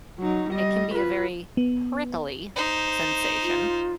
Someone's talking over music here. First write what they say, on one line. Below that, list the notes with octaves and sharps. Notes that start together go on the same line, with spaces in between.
it can be a very prickly sensation,
F#3 D#4
G3 D#5
F4 B4
B3
D#4 C5
F4